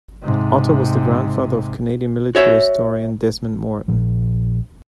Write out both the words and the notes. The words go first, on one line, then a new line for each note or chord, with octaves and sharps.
Otter was the grandfather of Canadian Military historian Desmond Morton.
G#2 C3
F#4 C#5 E5
A#1 A#2 F3